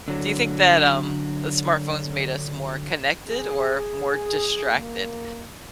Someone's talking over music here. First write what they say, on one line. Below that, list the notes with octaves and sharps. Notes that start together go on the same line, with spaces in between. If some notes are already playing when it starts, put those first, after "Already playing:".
Do you think that, um, uh, smartphones made us more connected or more distracted?
D3 F#3
G#4
A#3